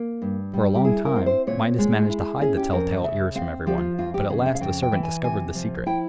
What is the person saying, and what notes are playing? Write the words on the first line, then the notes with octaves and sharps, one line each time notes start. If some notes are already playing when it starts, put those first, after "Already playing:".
For a long time Midas managed to hide the tell-tale ears from everyone; but at last a servant discovered the secret.
Already playing: A#3
G2
G3
G4
E4 G#4
A#4
C4
C5
A#2 C#5
G#3
E4
C#4 G#4
G4
F2 A#4
C#3 E5
C4 F5
F3 G4
F4
F2 F4
G4
C#3
E5
F5
F2 G5
G5
E3
G#5
C3 G#5
F3
E4 G5